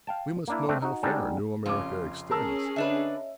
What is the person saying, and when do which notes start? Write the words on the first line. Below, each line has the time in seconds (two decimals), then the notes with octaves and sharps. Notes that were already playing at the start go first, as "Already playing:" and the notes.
"We must know how far New America extends."
0.07 F5 G5 A5
0.48 A#3 D4 E4
0.69 A3 C4 D4
0.82 D#4 F#4
1.03 G3 G#3 D4 D#4 F#4 A4
1.66 F1 C#3 C#4 F4 D6
2.31 C#4 G#4 A#4 A5 E6
2.76 D3 D4 B4 C#5 D#5 E5